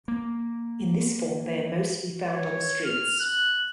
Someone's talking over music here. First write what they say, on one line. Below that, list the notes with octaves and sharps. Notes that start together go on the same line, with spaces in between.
In this form they are mostly found on the streets.
A#3
C#5
F6
F#6